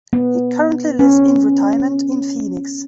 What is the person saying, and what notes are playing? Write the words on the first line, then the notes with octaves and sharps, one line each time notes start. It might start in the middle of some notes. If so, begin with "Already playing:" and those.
He currently lives in retirement in Phoenix.
B3
C#4